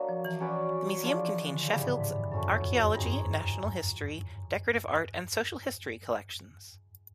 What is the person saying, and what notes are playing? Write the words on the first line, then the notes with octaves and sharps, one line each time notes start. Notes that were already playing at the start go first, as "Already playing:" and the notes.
The museum contained Sheffield's archaeology, natural history, decorative art and social history collections.
Already playing: F#3 A#3 D4 F#4
F3
E3
C#4 F#4 B4 D5
F3 D4 F4 G#4
E3
D#3
D3
C#3 G3 B3 E4 G#4
G#2
A2
G#2
F#2
F#2 A3 C#4 F#4
E2
F2
F2
G2 C4 D#4 G#4 C5